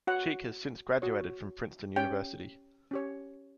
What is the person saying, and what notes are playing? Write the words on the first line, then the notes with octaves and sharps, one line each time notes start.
Cheek has since graduated from Princeton University.
F#4 C#5 F#5
F#4 C#5
C#4 G4 C#5 G5
C#4 G4 C#5